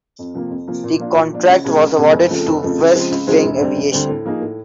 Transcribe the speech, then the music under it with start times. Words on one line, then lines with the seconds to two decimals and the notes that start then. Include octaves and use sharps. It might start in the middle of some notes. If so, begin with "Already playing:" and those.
The contract was awarded to West Wing Aviation.
0.19 F2
0.34 C3 F3 A#3
0.50 F2
0.67 C3 F3 A#3
0.83 A#2
0.99 F3 A#3 D4 F4
1.15 A#2
1.33 F3 A#3 D4 F4
1.49 C#2
1.64 B2 G#3 C#4
1.81 C#2
1.98 B2 G#3 C#4
2.13 F1
2.29 F2 C#3 F3 A3
2.46 F1
2.62 F2 C#3 F3 A3
2.78 C#2
2.94 C#3 F3 G#3 C4
3.11 C#2
3.27 C#3 F3 G#3 C4
3.44 E1
3.59 D2 D3 G3 C4
3.75 E1
3.92 D2 D3 G3 C4
4.09 A2
4.25 F3 A#3 D#4 G#4
4.41 A2